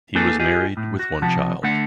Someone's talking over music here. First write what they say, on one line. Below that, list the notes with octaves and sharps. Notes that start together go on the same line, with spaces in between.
He was married with one child.
A#3 D#4 F#4 G#4 A4 B4
F4 G4 G#4 D#5
A2
F#4
C3 F3 F#5 A5
D3 A3 F#5